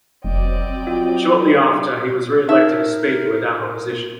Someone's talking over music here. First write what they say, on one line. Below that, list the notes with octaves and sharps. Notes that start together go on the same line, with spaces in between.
Shortly after, he was re-elected as speaker without opposition.
F1 F#3 C4 D5 D#5 G5
F4
D#4 A#4 E5